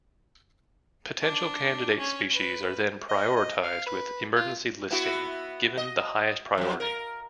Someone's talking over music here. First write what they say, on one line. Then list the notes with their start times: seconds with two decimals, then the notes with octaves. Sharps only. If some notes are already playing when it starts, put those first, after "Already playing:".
Potential candidate species are then prioritized, with "emergency listing" given the highest priority.
1.21 D4
1.99 C#4 C#5
2.33 B4
3.09 D#5
3.36 D#5
3.63 F5
3.86 B4
4.36 F4
4.91 B3 E4 F#4
5.77 D#5
6.58 F2 F#3
6.80 A#4